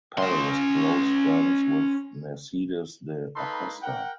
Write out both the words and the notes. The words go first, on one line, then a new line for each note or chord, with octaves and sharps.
Pell was close friends with Mercedes de Acosta.
C#4 C6
A#3 D#4 A4 B4 B5 C6
A#4 F#5 G5